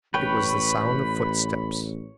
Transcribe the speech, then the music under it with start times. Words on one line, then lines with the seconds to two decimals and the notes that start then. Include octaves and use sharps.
It was the sound of footsteps!
0.14 A1 B4 C#5 G5 B5